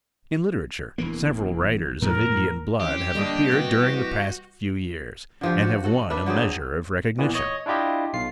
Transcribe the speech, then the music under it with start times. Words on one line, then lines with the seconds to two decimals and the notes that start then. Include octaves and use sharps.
In literature several writers of Indian blood have appeared during the past few years, and have won a measure of recognition.
0.98 E1 E3 A#3
2.02 F2 A2 F3 A#4
2.80 E3 C4 C#4 G4
3.15 D3 G3 A#3 D4 D#5 D#6
3.51 C3 E3 F#4
5.41 D3 F3 G4
5.62 F#4
5.84 F#4 A4 F#5
6.10 D4 B4 E5
6.26 D3 F#3 C4 G#4
7.18 A#2 E3 B3
7.35 C#5 D#5
7.66 D4 E4 F4 G4 D#5
8.13 B1 F4 C7